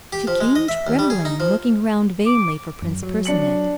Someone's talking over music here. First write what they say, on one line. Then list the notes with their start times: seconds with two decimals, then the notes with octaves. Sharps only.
She came trembling and looking round vainly for Prince Percinet.
0.13 G4
0.27 F3
0.41 G#3
0.55 D#5
0.68 E5
0.87 D#2
0.99 G3
1.10 G#4
1.25 D#4
1.40 F3
2.26 D6
2.82 F#2
3.03 F#3
3.25 D4 C#7 F#7